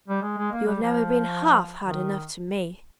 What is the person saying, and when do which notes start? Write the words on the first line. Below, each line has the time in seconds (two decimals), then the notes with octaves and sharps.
You have never been half hard enough to me.
0.08 G3
0.22 G#3
0.38 G#3
0.52 A#3
0.66 G3
0.82 F3
1.84 D#3